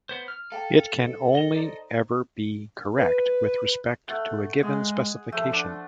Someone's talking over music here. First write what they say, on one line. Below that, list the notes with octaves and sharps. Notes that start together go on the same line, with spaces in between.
It can only ever be "correct with respect to a given specification".
B3 C5
F6
A4 F5 G5 A5
D#5
D#4 C5 D5
B4
A3 F#5
G#3 G#4
F3 A3
D4 F#5